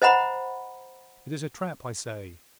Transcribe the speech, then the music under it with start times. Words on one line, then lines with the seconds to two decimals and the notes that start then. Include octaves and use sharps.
It is a trap, I say.
0.02 C5 D#5 F#5 A#5 B5